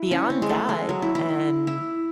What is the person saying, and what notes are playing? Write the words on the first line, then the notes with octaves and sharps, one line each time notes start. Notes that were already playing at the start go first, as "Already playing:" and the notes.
beyond that, um,
Already playing: E4
C#4
C4
G#3
A3
G#3
F#3
E4
E4
E4